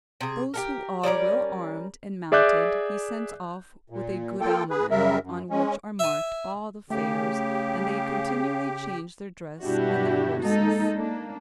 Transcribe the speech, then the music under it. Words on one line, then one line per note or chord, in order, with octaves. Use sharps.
Those who are well armed and mounted he sends off with a good almanac, on which are marked all the fairs, and they continually change their dress and their horses.
C3 G#4
G4 A4 A#4
G3 C#4 A#4 D5
G#4 D5 E5 D6 F#6 G6
A#2
A#3 F4 A4 G5
G#4 B4
F#2 C#3 G3 A#4 E5
F#2
G#3 C#4
E5 G#5
C#3 A3 G4
G2 B2 D4 E4 F#4 G4
G#3 A#3 D#4 A4
A#3 D4